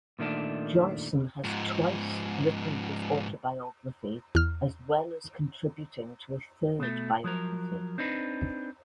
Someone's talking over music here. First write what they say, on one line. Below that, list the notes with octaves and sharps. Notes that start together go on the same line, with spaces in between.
Johnson has twice written his autobiography as well as contributing to a third biography.
A#2 D#3 A3 D4
G#2 F3
E2 F6
B2 A3
F3 F#3 A#4
C4 D4 D#4 B4